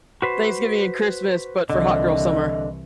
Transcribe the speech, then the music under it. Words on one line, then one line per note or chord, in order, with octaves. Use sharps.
Thanksgiving and Christmas, but for hot girl summer.
F#4 B4 C5
C2 D3 E3 D#5